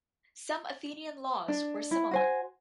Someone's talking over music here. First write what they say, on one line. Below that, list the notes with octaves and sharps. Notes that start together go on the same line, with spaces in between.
Some Athenian laws were similar.
D4
E4
F#4 C5 G#5